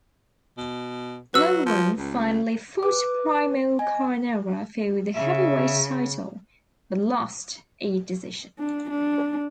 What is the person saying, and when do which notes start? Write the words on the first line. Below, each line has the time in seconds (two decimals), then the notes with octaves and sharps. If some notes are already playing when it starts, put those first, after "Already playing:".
Loughran finally fought Primo Carnera for the heavyweight title but lost a decision.
0.58 B2
1.34 F#3 B4 E6
1.66 F3
1.97 C#2
2.83 B4 D6
3.79 D#5 G#5
5.15 C#3 E5
8.59 D4
8.90 D4